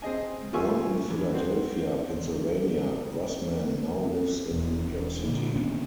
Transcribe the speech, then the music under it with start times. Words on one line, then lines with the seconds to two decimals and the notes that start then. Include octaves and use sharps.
Born in Philadelphia, Pennsylvania, Grossman now lives in New York City.
0.02 C4 G#4 D#5 G#5
0.53 F4 G4 G#5 C#6 E6
1.10 E2
1.33 C4 F#4
4.51 E1
5.25 A#2 D3 A#3
5.56 D#3 B3 C#4 D4